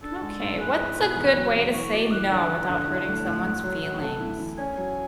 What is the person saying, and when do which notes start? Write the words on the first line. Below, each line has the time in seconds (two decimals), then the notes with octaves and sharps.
Okay, what's a good way to say no without hurting someone's feelings?
0.03 D4 A4
0.22 G#3
0.41 G#2
0.60 G#4 B4
0.79 E4
0.98 B2
1.16 E2
1.36 F#3
1.55 E2
1.74 E3 C#5
1.93 F#4 D5
2.11 E3 F#5
2.30 D3 F#5
2.50 D4
2.69 D3
2.87 E4
3.07 A3
3.26 A2
3.45 D2
3.64 F#3
3.83 D2
4.02 A4
4.20 E4
4.39 E3
4.58 C#4 G#5
4.77 F#3